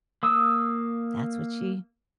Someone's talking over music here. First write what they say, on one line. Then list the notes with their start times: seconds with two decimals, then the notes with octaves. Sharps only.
that's what she
0.23 A#3 D#6 E6